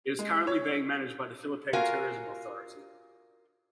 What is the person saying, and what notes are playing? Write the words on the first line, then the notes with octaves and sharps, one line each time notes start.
It is currently being managed by the Philippine Tourism Authority.
G#3
C#5
F4 F#4 A#4 F5 G#5